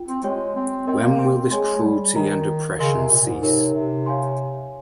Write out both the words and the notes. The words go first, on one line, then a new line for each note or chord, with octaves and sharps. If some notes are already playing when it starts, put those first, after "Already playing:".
When will this cruelty and oppression cease?
Already playing: F4 G5
C4
G#3 G4 C#5 G5
C4
C4 A#4 D#5 G5
A#3
C4
C4
G#3 G#4 C#5 G#5 C6
G#3
G3
D#3 A#4 D#5 A#5
C#3 A#4 D#5 G#5 C6
C3
A#2
G#2
C3 D#4 G4 A#4 C#5
C3
C#5 F5 G#5 C6